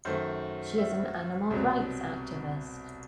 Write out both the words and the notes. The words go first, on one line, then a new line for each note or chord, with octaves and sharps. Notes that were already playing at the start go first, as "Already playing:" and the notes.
She is an animal rights activist.
F#2 D#3 A3 C5
E5
C2 B2 F#3 C4